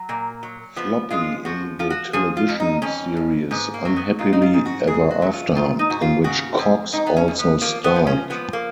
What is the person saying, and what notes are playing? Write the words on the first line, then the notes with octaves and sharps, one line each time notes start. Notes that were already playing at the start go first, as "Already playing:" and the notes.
Floppy in the television series "Unhappily Ever After" in which Cox also starred.
Already playing: F#3
A#2 A#3
F#3
F3 B3
G#3 F4
F3 F#4
F3 F4
F#4
F3 G#4
F4
F2
D#4
F2 C#4
F2
G#2 B3
A#3
F#3
B3
G#2 F4
D#4
F4
G#2
F#4
G#2 G#4
F#4
F#3
F4
D#3 F4
D#4
G#2 F#4
F4
C#3 F#4
F2
F2 D#4
B3
C#4
F2
B3
F3 A#3
B3
F3
C#4
F3 B3
A#3